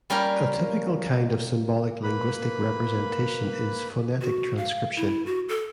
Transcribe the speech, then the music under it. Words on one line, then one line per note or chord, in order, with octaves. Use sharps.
A typical kind of symbolic linguistic representation is phonetic transcription.
G3 A#3 C#4 F4 G4 A#4
A#3 B4 B5
F#4
F5
E4
F#4
A4